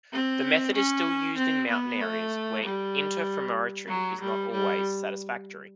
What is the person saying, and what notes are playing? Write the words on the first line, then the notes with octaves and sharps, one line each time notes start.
This method is still used in mountain areas, where interferometry is not always satisfactory.
C4
C#4
C4
B3
A3
G3
F#3
G3
G3